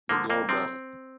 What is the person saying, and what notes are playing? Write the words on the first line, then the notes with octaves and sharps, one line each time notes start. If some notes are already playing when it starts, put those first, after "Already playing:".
The door bell.
D3 F3 A#3
F2 A#3
C3 F3 C4